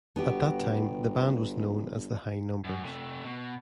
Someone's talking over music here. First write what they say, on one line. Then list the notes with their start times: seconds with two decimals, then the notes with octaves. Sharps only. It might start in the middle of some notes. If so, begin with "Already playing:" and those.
At that time the band was known as the High Numbers.
0.16 G1 B3 F#4 G4
2.64 F#2
2.84 C3 A3
3.25 B2